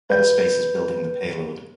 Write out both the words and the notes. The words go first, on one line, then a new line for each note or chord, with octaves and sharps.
Eta Space is building the payload.
B4 G6